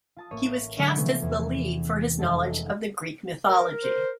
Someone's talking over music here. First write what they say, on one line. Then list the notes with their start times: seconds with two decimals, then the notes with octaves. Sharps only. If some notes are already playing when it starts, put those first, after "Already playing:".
He was cast as the lead for his knowledge of the Greek Mythology.
0.17 F4 A5 D#6
0.31 A1 A#3 C#5 D#7
0.77 D3 F#3 G#3 A3 C#4
0.95 C3 E3 F3 A3 B3 C#4
1.22 E2
2.19 F1 G#3 D#4 A4 A5
3.49 A#4
3.84 C5